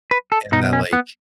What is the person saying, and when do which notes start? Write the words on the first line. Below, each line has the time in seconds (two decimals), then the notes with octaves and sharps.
And that, like,
0.11 B4
0.32 A4
0.52 B2 D#4
0.73 C#4
0.93 B3